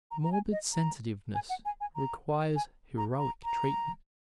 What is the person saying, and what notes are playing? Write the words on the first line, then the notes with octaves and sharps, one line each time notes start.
Morbid sensitiveness requires heroic treatment.
A#5
A#5
G#5
D#5
A#5
G#5
F#5
G#5
G#5
A#5
G#5
A#5
A#5
A#5